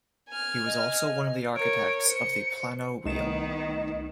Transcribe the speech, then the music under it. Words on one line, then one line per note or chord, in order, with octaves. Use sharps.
He was also one of the architects of the Plano Real.
G#5 F6
D#5
A#4 C#5 D7
C5 C#7
C2 D#3 A3 B3 D#4 E7